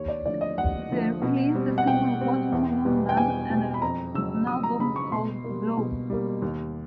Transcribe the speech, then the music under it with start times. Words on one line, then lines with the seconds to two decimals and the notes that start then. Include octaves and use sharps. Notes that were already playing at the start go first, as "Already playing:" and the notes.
They released a single "Watermelon Man" and an album called "Blow!".
Already playing: D#2 C#5
0.08 D5
0.25 D3 F3 A3 D5
0.41 D#5
0.58 D#2 F#5
0.90 D3 F3 A3
1.22 B2
1.55 G3 C4
1.78 F#5
1.87 B2 G5
2.20 G3 C4
2.52 E2
2.85 B2 G3 B3
3.09 G5
3.17 E2 G#5
3.50 B2 G3 B3
3.74 B5
3.82 F2 A#5
4.14 C#3 F#3 E6
4.47 F2 D#6
4.63 A#5
4.80 C#3 F#3 B5
4.96 C#6
5.12 B2 C6
5.44 G3 A#3
5.77 B2
6.10 G3 A#3
6.42 D#2